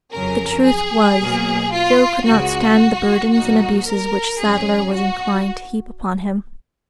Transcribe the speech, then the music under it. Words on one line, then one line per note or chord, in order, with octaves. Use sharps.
The truth was, Joe could not stand the burdens and abuses which Sadler was inclined to heap upon him.
F2 C#3 F#3 C#4 A#4
G#4
B2 F#3 A#3
F4
C#2 C#3 G#3 F#4
A#2 F#3 A#3 D#4 F#4
A#4
G#2 F#3 C#4 G#4
F#4